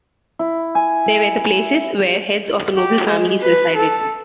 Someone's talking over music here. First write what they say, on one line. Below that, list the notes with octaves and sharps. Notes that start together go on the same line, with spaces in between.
They were the places where heads of a noble families resided.
E4
G#5
G4
G#3
B4
A4